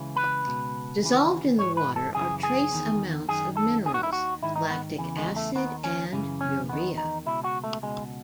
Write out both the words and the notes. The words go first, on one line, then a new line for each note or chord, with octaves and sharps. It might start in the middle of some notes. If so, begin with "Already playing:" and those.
Dissolved in the water are trace amounts of minerals, lactic acid, and urea.
Already playing: C#2 C#3 E3
B4
C#2 B2
D#2 C#3 E3
G#2 E3 C#5
B4
A4
F#2 C#3 E3 G#4
G#4
E2 D#3
F#2 D#3 G#4
A4
D#2 D#3 G#4
F#4
E4
F#4
G#2 D#3 E4
D#4
B3
E2 C#3 E3
G#3
A3
D#2 D#3 B3
C#4
F#2 C#3 E3
C#4
E2 D#3 B3
D#4
C#2 B2 E4
F#4
A3
C#2 B2 G#3